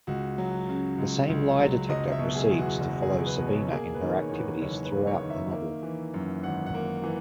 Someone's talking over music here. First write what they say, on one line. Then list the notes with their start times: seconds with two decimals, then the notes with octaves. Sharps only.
This same lie detector proceeds to follow Sabina in her activities throughout the novel.
0.07 C#2 F#4
0.38 F#3
0.69 C#3
0.98 C#2
1.29 C#2
1.59 F#3
1.89 F#1 D#5
2.12 E5
2.19 B2
2.35 G#4
2.50 E2
2.58 F#4
2.80 F#1 F#4
3.03 G#4
3.11 F#1
3.26 B4
3.41 B2
3.48 C#5
3.71 A#3 G#4
3.94 B4
4.01 D#3
4.17 C#5
4.29 E2 C#5
4.39 B4
4.62 F#1 C#5
4.84 B4
4.92 A#3
5.07 C#5
5.22 D#3
5.30 E5
5.52 A#3
5.83 E3
6.14 F#2
6.43 G#1 F#5
6.66 F#5
6.74 A#3
7.04 E3